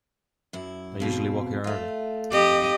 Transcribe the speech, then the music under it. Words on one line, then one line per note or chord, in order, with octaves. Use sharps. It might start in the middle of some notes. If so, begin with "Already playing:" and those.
I usually walk here early.
F#2 E4
F2 B2 C4
A3 F4
F2 D#4 G4 D#5